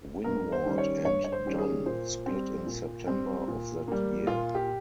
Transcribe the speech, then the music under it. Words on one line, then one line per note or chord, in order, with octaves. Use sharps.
Winward and Dunn split in September of that year.
G2 A#4
C5
D#3 G3 C#4
C#5
G2 C#5
C#5
C5
D#3 G3 C#4
G#4
A#2 C5
G3 C4
A#2
G3 C4
A#2
G3 A#3
A#2 F4
G4